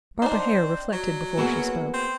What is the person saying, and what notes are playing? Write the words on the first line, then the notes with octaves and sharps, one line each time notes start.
Barbara Hare reflected before she spoke.
C4 D4 D#4 C5
F#3
A#3 B3 E4 F#4 G#4
C4